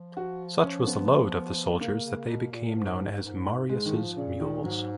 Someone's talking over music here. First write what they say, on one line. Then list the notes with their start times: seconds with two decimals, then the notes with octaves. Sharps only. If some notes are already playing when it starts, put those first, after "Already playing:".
Such was the load of the soldiers that they became known as "Marius' Mules".
Already playing: F3
0.17 F#4
0.63 C#4
0.87 B3
1.81 C#3 A#3
2.05 C#3
2.28 B2
2.52 A#2
2.76 G#2
3.23 G#2
3.69 G#2 G#3
3.86 D#3
3.93 F3
4.17 A#2 C#3
4.40 D#3
4.64 G#2 F#3